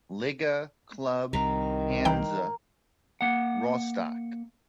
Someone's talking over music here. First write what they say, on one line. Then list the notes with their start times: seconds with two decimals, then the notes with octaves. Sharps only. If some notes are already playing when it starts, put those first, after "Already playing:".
Liga club Hansa Rostock.
1.33 C2 C3 D#3 A#5
2.05 E3 A#3 G5
3.21 A#3 F#5